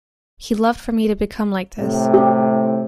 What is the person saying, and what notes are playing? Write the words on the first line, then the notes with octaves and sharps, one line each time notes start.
He loved for me to become like this.
A2 C3
G4